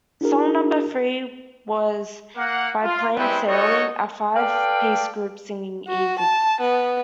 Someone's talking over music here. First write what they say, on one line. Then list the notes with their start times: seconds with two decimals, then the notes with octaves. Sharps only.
Song number three was by Plain Sailing, a five-piece group singing "Easy".
0.21 D4 E4 F#4 G#4 A#4
2.36 A#3 F#5
2.82 F4
3.14 G3 G#3 C4 E4 B4 G5
3.46 D#4 F#4 A4 C#5 D#5
4.35 A4 B4 D5 F5 G5
5.88 F#4
6.19 A5
6.60 B3